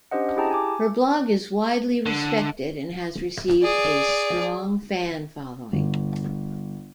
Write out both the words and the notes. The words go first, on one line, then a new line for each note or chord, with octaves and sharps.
Her blog is widely respected and has received a strong fan following.
C#4 D4 G4 C5 D#5 F#5
E4 G4 G#4 G5 A5 A#5
G#5 D6
D3
G#4 D5
G1